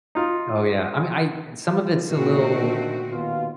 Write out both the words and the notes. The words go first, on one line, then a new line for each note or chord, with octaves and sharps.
Oh, yeah. I mean, I some of it's a little
D#4 F4
A#2 D3 D#3 A3 C4 F#4
D#2 B2 F4